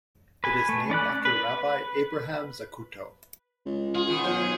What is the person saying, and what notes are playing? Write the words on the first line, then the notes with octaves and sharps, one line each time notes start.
It is named after Rabbi Abraham Zacuto.
B4 G#5
A3
C#4 D5 B5 F#6
B4
C#2
F4 G#4
B2 D#3
B1 F#3 F4 C5